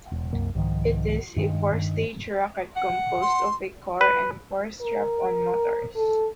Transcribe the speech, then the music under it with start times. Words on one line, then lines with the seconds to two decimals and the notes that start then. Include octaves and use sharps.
It is a four-stage rocket composed of a core and four strap-on motors.
0.12 E1
0.33 C2 F#2 A#3
0.55 C2 G#2 D#3 F3
1.36 G2 D#3 G#3
2.76 F#5
3.22 C6
4.01 B4
4.82 A#4
5.96 A4